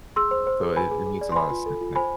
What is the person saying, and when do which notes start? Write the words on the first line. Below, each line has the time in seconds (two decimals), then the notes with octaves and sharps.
So, it it makes a lot of sense now.
0.16 G#4 C6 E6
0.31 C5
0.47 C5
0.61 G#4
0.76 B4 G#5 B5
0.91 G#4
1.06 G#4
1.21 D5
1.32 C6
1.36 B4 G#5 B5
1.51 F4
1.66 A4
1.81 F4
1.96 C5 G#5 B5